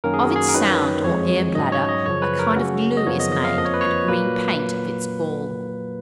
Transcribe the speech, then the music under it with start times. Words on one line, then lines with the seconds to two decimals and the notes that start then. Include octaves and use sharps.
Of its sound, or air-bladder, a kind of glue is made, and a green paint of its gall.
0.04 F#2 D#3 A#3 C#4 A#4
0.14 G#4
0.25 F#4
0.36 G#4
0.49 A#4
0.54 F#2 D#3 F#3 C#4 B4
1.04 F2 F3 G#3 C#5
1.55 G#2 F#3 C#4 D#5
1.72 C#5
1.89 D#5
2.06 F#2 C#3 F3 C#5
2.22 B4
2.39 A#4
2.56 C#3 F#3 C#4 F#4
2.97 D#5
3.07 F#2 C#3 F3 B3 C#5
3.20 D#5
3.32 D#5
3.44 F5
3.57 F2 F3 A#3 D#5
3.65 C#5
3.74 B4
3.81 C#5
4.08 A#2 F#3 A#3 B4